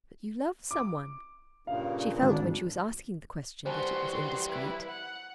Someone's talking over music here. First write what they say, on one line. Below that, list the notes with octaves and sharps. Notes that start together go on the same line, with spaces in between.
"But you love some one?" She felt when she was asking the question that it was indiscreet.
D6
G2 A#2 C#3 F5
G#1 G#2 D4
E3 G3 F#4 C5 G#5 A5 C6
E4 B4
F#5